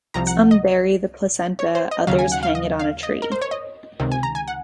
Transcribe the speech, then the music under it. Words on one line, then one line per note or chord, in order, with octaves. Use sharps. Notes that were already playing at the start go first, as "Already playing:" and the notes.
Some bury the placenta, others hang it on a tree.
C2 C3 F3 A#5
F#5
D#5
C#5
C5
D#5
D#2 C#3 F#3 F5
G#5
F#5
F5
D#5
F5
D#5
A#4
C5
C#5
D#5
C#2 C3 D#3
G#5
A#5
G#5
F#5